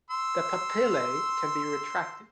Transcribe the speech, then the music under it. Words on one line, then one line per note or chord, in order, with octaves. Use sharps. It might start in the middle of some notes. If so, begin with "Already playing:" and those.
The papillae can be retracted.
C6 E6